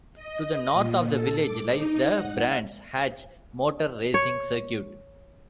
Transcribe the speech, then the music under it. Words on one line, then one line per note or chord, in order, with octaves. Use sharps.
To the north of the village lies the Brands Hatch motor racing circuit.
D#5
A#2
A4
D6
D#4
F#5
C#5